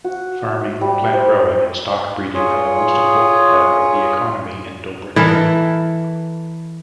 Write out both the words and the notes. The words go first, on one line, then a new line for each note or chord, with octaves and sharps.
Farming, plant-growing and stock-breeding are the most important part of the economy in Dobrich.
F#4
E5
G3
C5
F4 G#4 C#5
E3 A4 A#4